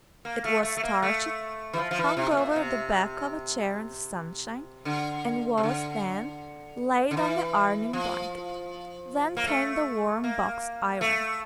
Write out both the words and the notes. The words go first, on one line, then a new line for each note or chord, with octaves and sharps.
It was starched, hung over the back of a chair in the sunshine, and was then laid on the ironing-blanket; then came the warm box-iron.
A#3
A3
A3
A3
A#3
A3
E3
F3
F3
E3
C3
C3
A#2
C3
D3
C3
D3
D3
E3
F3
A#3
A3
A#3
A3